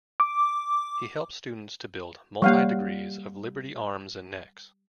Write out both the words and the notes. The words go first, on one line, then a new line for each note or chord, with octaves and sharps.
He helped students to build multi-degrees of liberty arms and necks.
D6
F3 G3 A#3 F5 F#5